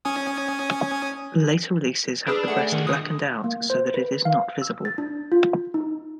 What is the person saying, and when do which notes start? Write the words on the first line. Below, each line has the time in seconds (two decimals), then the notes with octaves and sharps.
Later releases have the breast blacked out so that it is not visible.
0.05 C#4 G#5 D#6
2.28 D4 G#4 B4 E6 F6
2.48 A3 G#4 F#5
2.72 D3 D#3 G#3
2.87 D#6
3.44 A#3
3.70 C5
3.94 B4
4.25 F5
4.62 E6
4.85 A6
4.98 D4
5.32 F4
5.74 D#4